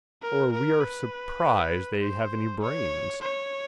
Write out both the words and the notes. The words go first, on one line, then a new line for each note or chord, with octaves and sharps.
Or we are surprised they have any brains.
A#4
A#4
B4
C5
C#5
C#5